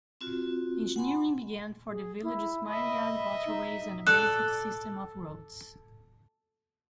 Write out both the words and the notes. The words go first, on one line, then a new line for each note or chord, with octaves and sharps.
Engineering began for the village's myriad waterways and a basic system of roads.
C4 F4 F#4
F#5 G#5 B5 C6
G#4
E4
D#5 E5 B5
D#4
A4 D5 F#6